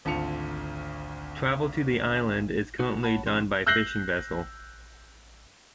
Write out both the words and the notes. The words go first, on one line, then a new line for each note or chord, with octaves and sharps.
Travel to the island is currently done by fishing vessel.
G#1 D2 F4 A5 C#7 F7
D#4 F#4
C#5 F#5 A5 B5
B1 E3 C#4 D#4 G4 C6
E6 F#6 G6 A#6 C7 F#7